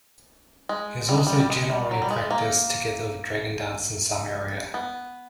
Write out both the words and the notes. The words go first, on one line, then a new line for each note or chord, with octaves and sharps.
It is also generally practised together with Dragon dance in some area.
G#3
G3
G#3
G3
G3
G#3
G3
F#3
G3
G#3
A#3
B3